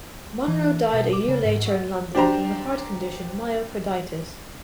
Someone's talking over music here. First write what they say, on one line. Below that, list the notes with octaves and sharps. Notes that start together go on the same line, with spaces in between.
Munro died a year later in London from the heart condition myocarditis.
E3
B2
D6
C#3
G#2
F#3
D4 G4 C5 A#5